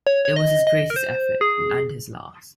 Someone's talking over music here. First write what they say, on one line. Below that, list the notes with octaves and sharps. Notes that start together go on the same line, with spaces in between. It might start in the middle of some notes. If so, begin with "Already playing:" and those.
It was his greatest effort, and his last.
C#5
C#5
D#5
D#5
A#4
C5
G#4